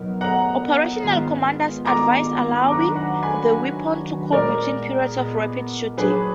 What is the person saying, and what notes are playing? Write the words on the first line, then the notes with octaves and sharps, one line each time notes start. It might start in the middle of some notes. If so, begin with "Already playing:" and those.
Operational commanders advised allowing the weapon to cool between periods of rapid shooting.
Already playing: B2 F#3 B3 D#4 A#4
B2 F#3 B3 D#4 A#4 F#5 A#5
G#2 D#3 G#3 B3 F4
G#2 D#3 G#3 B3 F4 A#5 D6
D#3 F#3 D4 F#4 B4 A#5 D6
F#5 A#5
G#5 B5
D#3 F#3 D4 F#4 B4
A#2 G#3 B3 A#4 D5
A#2 G#3 B3
A#2 F#3 D4 F#4 G#4 B4